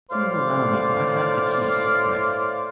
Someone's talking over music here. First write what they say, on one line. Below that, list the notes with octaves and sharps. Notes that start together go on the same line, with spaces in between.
"If you will allow me, I have the key," said Grey.
A2 C5 D5 F5